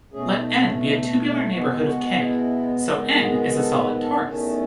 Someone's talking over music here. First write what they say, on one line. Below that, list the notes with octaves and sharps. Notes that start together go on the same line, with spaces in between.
Let "N" be a tubular neighborhood of "K"; so "N" is a solid torus.
B2 A3 C#4 G#4
C#4
D#4
C#4
D#4
D#4
B2 G#3 B3 F#4
E4
F#4
F#4
E4
G#2 D#3 G#3 B3 D#4
F#4
G#4
F#4
A4
B4
A4
E2 D#3 A3 C#4